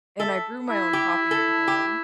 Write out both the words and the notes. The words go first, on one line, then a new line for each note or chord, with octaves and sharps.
And I brew my own coffee from home.
A4 E5
E4
G4
A4
G4